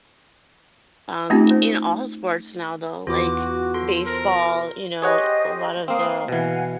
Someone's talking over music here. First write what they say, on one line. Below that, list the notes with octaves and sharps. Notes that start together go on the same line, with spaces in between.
um, i in all sports now, though, like baseball, you know, a lot of the,
A3 C4 C#4 D#4 F4 G4
C5
E2 B3 F4 F#4 D6
F4 A4 C6
B2 A#4 C5
G4 G#4 C5 C#5 D#5 F#5
A#3 C4 F5 D#6
B2 E3 F5 F#5 G#5